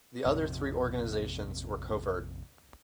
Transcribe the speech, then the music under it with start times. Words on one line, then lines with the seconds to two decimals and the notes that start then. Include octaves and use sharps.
The other three organisations were covert.
0.26 A#1 F2 C3